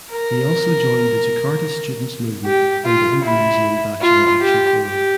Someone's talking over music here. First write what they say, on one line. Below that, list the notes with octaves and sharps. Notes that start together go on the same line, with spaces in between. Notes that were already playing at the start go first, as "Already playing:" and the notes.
He also joined the Jakarta Students Movement and the Indonesian Bachelor Action Forum.
A#4
G4
F4
E4
F4
G4
G4